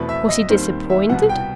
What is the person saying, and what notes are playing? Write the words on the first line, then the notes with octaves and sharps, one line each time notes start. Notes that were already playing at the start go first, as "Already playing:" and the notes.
Was he disappointed?
Already playing: E2 B2 A3 C4 E4 B4
E5
D#5
D#2 D#3 G3 C4 C5
E5
C2 B2 G3 F#5
G5